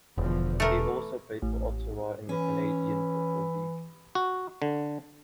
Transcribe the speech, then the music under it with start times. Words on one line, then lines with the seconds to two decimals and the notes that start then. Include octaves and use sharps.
He also played for Ottawa in the Canadian Football League.
0.18 E1 E2 D3 F3
0.60 E3 A3 A#4
1.42 A1
2.29 E3 C#4
4.15 F#4
4.62 D3